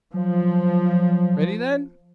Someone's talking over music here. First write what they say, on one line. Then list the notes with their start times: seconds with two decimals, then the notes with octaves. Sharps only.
"Ready then!"
0.14 F3 F#3